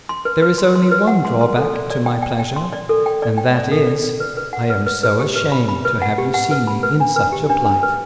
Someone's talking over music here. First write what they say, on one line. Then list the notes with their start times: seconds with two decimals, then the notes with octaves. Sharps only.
There is only one drawback to my pleasure, and that is, I am so ashamed to have you see me in such a plight.
0.09 C6
0.25 B4
0.42 B4
0.58 C6
0.76 C6
0.91 B4
1.07 F#5
1.25 C6
1.41 C6
1.57 A4
1.74 D5
1.90 D5
2.06 G5
2.22 G5
2.40 G5
2.56 C6
2.73 D5
2.89 A4
3.06 G5
3.22 D5
3.38 G5
3.55 D5
3.72 A4
3.87 D5
4.04 D5
4.20 B4
4.37 B4
4.53 F#5
4.70 B4
4.86 B4
5.03 B4
5.20 G4
5.35 B4
5.52 B5
5.69 B5
5.85 B4
6.02 F#5
6.18 G4
6.34 F#5
6.51 B4
6.67 B5
6.83 B4
7.00 D4
7.16 B4
7.32 G4
7.50 D4
7.65 D4
7.83 B4